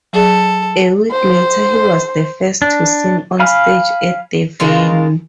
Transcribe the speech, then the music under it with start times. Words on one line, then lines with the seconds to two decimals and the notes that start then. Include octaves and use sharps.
A week later he was the first to sing on stage at the venue.
0.13 F#3 G#4 A4 D5
1.11 C5
2.62 D4
3.39 F5 G#5 B5 F6
4.60 C#3 G#3 F4 A#4